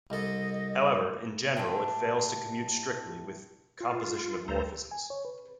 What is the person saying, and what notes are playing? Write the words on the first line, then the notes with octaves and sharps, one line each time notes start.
However, in general it fails to commute strictly with composition of morphisms.
C2 A4 D#5
A2 D4 G4
F4
D2 A4 C5 A#5
G#5
C#5
B4